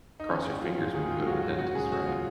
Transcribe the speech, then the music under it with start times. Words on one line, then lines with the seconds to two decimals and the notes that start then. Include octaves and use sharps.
cross your fingers when you go to the dentist, right?
0.20 D#4
0.30 D#3 C#4
0.47 G#2
0.62 F#3 F4
0.78 G#2
0.94 D#3 G#4
1.11 G#2 F4
1.26 F#3 F#4
1.42 G#2 F#4
1.59 C#3 F#4
1.75 C#2 G#4
1.91 F#3 F#4
2.07 F4